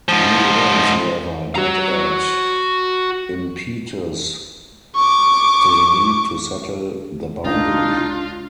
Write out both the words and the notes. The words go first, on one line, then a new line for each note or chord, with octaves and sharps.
The events, however, did add impetus to the need to settle the boundary.
G#2 F3
F#4 A#5
C#6 D6
C#2 D4 D#4 F4